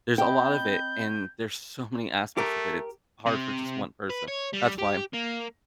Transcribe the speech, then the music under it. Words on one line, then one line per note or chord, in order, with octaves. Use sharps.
There's a lot of it, and there's so many aspects of it, it's hard for just one person. That's why
C4 D#5 G5 B5 G6
A3 G4 A#4
C3
B4
C#5
G3
G4
A#3